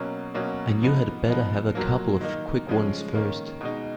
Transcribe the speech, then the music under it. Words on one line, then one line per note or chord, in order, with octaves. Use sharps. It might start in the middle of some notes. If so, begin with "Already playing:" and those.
And you had better have a couple of quick ones first.
Already playing: B2 F#3 A#3 C#4
B2 F#3 A#3 C#4
F3 B3 D#4
F3 B3 D#4
A#2 F#3 A#3
D#3 A#3 D#4
C#3 F3 G#3 C#4
D#3 A#3 C#4
B2 G#3 D#4